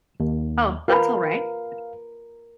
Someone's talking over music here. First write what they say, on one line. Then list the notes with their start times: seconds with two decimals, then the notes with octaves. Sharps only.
Oh, that's all right.
0.20 D#2
0.88 F4 A#4 B4 F5 B5